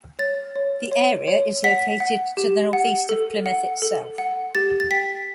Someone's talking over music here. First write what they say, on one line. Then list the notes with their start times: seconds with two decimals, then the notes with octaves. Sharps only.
The area is located to the north east of Plymouth itself.
0.19 C#5 A6
0.56 C#5
0.92 C#5
1.28 C#5
1.64 F#5 B6
2.00 F#5
2.37 G4
2.73 F#5
3.09 A4
3.46 F#5
3.82 A4
4.18 F#5
4.55 G4 A6
4.80 A6
4.90 G5 B6